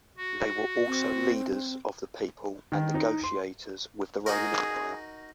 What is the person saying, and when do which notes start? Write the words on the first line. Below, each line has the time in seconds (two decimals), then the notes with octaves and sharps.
They were also leaders of the people and negotiators with the Roman Empire.
0.17 F#4
0.86 C4
2.72 D#3
2.94 D#4
3.23 C6
4.26 D#4 F#4 G#4 A#4